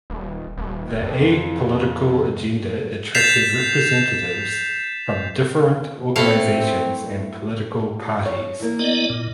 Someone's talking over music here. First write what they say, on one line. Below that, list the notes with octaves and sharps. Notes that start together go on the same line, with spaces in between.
The apolitical agenda attracted representatives from different organizations and political parties.
D#1
D#1
F2
G6 A6 B6 C7 E7 F7
A3 C4 E4 F5
C#5
E3 A#3
B3 D5 D#5
A#2